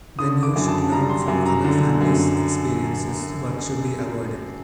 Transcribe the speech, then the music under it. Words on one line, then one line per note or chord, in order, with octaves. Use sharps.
Then you should learn from other families experiences what should be avoided...
D3 D#6
D6
F#2
A5
G3 A#5
C6
F#2
A#5
D3
F#2